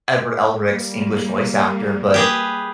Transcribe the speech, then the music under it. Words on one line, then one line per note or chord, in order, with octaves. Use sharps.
Edward Elric's English voice actor, but
G3 A#3
G4 G#4 B4